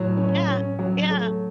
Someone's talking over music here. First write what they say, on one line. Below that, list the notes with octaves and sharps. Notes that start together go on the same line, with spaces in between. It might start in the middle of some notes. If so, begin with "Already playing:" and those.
Yeah. Yeah.
Already playing: A2 F#3
C#4
C#4
F#3
A3